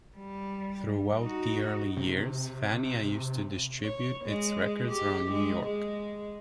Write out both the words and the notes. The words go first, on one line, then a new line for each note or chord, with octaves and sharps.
Throughout the early years, Fania used to distribute its records around New York.
G3
D#4 F#4
C3
C#5
G#3
G4
G#3
G#3